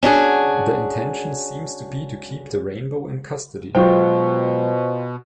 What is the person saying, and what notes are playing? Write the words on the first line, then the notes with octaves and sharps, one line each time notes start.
The intention seems to be to keep the rainbow in custody.
C#4 D4 F#4 G#4
B2 F#3 G#3 F4 C5 G5 C#6